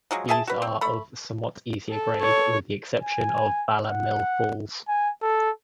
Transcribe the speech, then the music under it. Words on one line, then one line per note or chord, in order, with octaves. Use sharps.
These are of somewhat easier grade, with the exception of Bala Mill Falls.
F3 F#3 G#3
G#4 E5 G#5 A5
F#4 B4
C4
A3 B5
A4
C#5
G#5
F#5
G#5
A4